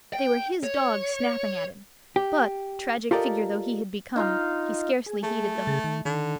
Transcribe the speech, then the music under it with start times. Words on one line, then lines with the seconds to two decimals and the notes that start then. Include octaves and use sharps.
They were his dogs snapping at him, but, tragic figure though he had become, he scarcely heeded them.
0.13 G5
0.64 C#5
2.16 G4
3.11 F4 G4 A4 A#4 D5 D#5
4.16 D#4 F4 F5
5.06 G#4
5.23 A3
5.67 C#3 G#4 A6
5.84 D#3
6.05 D3 D#3